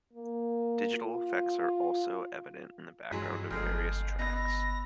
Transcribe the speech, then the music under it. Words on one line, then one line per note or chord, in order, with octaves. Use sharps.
Digital effects are also evident in the background of various tracks.
A#3
F4
G2 E3 F#3 G#3 B6
G1 F2 G#3 A3 F6 G6 C7
B3 D#5 B5 E6 A#6